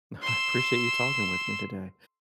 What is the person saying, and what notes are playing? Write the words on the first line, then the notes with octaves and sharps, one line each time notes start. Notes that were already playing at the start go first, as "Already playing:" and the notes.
I appreciate you talking with me today.
C6 E6